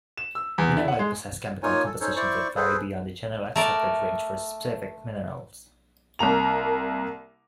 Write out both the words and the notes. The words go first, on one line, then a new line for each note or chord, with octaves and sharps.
Mineraloids possess chemical compositions that vary beyond the generally accepted ranges for specific minerals.
E7
E6
E2
E4
F#5
G#3
A#3 D#4 F4 C#5 G#5
A4
C#4 D#4 A4 C5 C#5
E4 C5 D5 C#6
G#4 A4 B4 C5
A3 A#4 D5
C2 A#3 A#5 F7